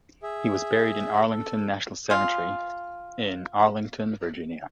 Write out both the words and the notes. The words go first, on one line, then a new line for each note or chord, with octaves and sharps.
He was buried in Arlington National Cemetery in Arlington, Virginia.
G#4 E5
A4
G#3 F4